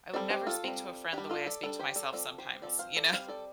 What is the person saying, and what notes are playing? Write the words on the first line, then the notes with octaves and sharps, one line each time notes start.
I would never speak to a friend the way I speak to myself sometimes. You know?
G3 C4 A4 D5
G4 C5
F4 A4
G3 C4
G3 D4 G4
F4 A4
A4 D5
G3 D4 A4 D5
G4 C5
A4 D5
F3 C4 A4 D5
G4 C5
F3 C4 A4 D5
C5 F5
A4 D5
G3 C4 C5 F5
A4 D5